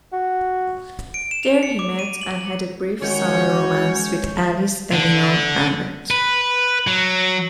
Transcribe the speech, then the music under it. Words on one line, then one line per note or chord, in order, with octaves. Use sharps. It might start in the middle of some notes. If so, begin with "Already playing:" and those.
There he met and had a brief summer romance with Alice Elinor Lambert.
F#4
D7
E7
F7
C#7
D6
D#7
F#7
D#3 G#3 C#4 F#4 C#5 G6
D3
B4
F#3